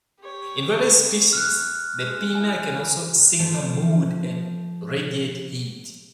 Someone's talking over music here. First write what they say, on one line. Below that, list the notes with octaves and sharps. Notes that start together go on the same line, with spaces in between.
In various species, the pinna can also signal mood and radiate heat.
G4 C#5
F6 F#6
G#3
E4 G#5
F3 A3